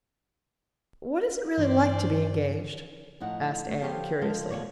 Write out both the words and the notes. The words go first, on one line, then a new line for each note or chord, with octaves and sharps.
"What is it really like to be engaged?" asked Anne curiously.
G2 E3 D4 C5 D5
A2 F3 D#4 F#5
A3
F3 B3 G4 A4 C#5 F5
F3 G#3 A4 F5
D2 B2 A#3 F4 C#5 D5